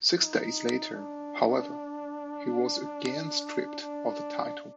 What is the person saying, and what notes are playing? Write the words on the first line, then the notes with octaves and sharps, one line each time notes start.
Six days later, however, he was again stripped of the title.
D#4
D4
D4